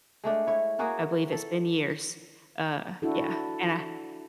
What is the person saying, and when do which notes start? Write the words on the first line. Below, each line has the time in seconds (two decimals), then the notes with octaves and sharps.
I believe it's been years. Uh, yeah, and I
0.24 G#3 A3 D4
0.47 E4 C#5
0.79 A#3 C#4 F#4 G#4
1.32 A4
3.02 D4 E4 F#4 A4